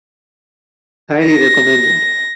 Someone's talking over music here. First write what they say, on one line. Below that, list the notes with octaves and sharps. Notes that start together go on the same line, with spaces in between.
Highly recommended.
A#6